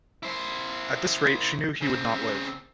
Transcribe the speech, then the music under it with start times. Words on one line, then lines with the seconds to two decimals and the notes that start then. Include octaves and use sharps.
At this rate she knew he would not live.
0.23 E4 C5
1.81 C#3 C4